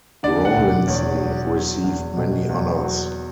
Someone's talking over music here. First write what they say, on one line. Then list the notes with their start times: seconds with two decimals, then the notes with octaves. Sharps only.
Rawlinson received many honours.
0.23 D3 D5
0.45 F#5
0.56 E1
0.87 E2 C#5
1.20 F#3
1.52 F#3
1.84 E2
2.17 B2
2.49 E2
2.81 F#3